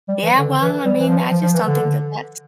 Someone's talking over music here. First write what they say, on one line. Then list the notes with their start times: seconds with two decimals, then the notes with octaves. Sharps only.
Yeah, well, I mean, I just don't think that that's
0.08 G3
0.23 E3
0.38 D3
0.62 E3
0.85 G3
0.99 E3
1.08 F3
1.31 F3
1.43 F3
1.54 E3
1.66 D3